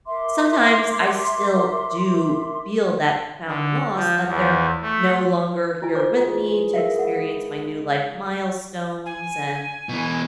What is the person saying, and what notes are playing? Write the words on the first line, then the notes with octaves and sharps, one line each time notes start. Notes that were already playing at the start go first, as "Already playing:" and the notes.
sometimes I still do feel that profound loss that they're no longer here with me to experience my new life milestones and
A#4 E5 C6 D6
D3
F3
E2
A3
E4 F4 G#5
D#4 G#4 C5 D#5 D6
E3 G#3 F4
D#4 A#4 E5 F5
A#4 B4 D#5 F#5
G#5
B2 E3